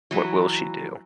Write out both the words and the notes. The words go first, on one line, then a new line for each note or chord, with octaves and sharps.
What will she do?
E3 F#3